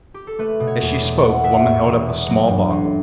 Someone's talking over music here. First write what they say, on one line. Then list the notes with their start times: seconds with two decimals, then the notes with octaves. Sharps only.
As she spoke the woman held up a small bottle.
0.14 G4
0.27 A4
0.39 A3 B4
0.60 B2
0.67 C#5
0.81 E2
0.95 D5
1.02 E1
1.23 A3 F#5
1.43 B2 E5
1.65 E2 C#6
1.86 E1
2.07 B3
2.28 F#3
2.48 G2
2.70 A1